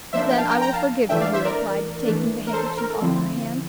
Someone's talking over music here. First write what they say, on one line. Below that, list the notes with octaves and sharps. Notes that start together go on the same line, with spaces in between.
"Then I will forgive you," he replied, taking the handkerchief off her hand.
F3 A#3 D4 C5 E5
G5
F5 A5
G5 A#5
G5 A#5
F5 A5
E3 A3 D4 E5 G5
D5 F5
C5 E5
A#4 D5
E3 A3 D4
A#4
A4 C5
A4 C5
A#4
A4
D3 F3 C4 E4